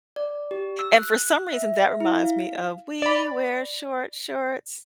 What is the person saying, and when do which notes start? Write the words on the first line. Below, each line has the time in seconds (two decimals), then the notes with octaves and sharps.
And for some reason, that reminds me of: We wear short shorts.
0.16 D5
0.51 G4
0.79 E6
0.99 F#6
1.53 E5
2.00 E4
2.20 F5
3.02 D5 B5